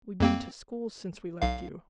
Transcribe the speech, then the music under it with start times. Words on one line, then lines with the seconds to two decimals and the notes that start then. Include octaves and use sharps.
"We've been to school since we left you."
0.20 F2 A#3 C4
1.42 B1 F5